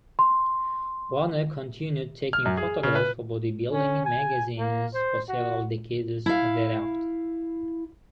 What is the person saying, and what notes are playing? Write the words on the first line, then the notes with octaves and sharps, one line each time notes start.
Warner continued taking photographs for bodybuilding magazines for several decades thereafter.
C6
F6
F#2
G#4
C#3
B4
C#4
G#5
A#3
C5
F#4
E4 F5